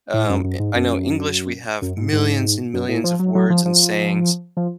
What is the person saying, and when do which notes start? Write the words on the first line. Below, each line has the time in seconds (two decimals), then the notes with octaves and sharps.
Um, i I know English we have millions and millions of words and sayings,
0.14 A2
0.29 F#2
0.44 F#2
0.60 G#2
0.75 F#2
1.82 F#2
1.97 G#2
2.13 G#2
2.74 F#2
2.88 A2
3.04 F3
3.19 F#3
3.35 F#3
3.50 F3
3.65 F3
4.57 F3